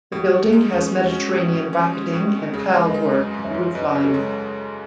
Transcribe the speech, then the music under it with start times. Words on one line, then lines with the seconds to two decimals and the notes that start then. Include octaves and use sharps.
The building has Mediterranean bracketing and tile work at the roofline.
0.12 A2 F#4
0.32 A2
0.42 G#4
0.53 G#3
0.72 C#4 G#4
0.92 G#3
1.03 F#4
1.12 C#4
1.33 A2
1.53 A2
1.73 C#4
1.93 G#3
2.13 A2
2.34 G#3
2.54 C#3 G#4
2.74 G#3
2.84 B4 D#5
2.94 G#3
3.14 F#2 G#4
3.34 F#2
3.44 C#5 E5
3.54 F#2
3.74 F#2 B4 D#5
3.95 C#3
4.04 A4 C#5
4.14 G#3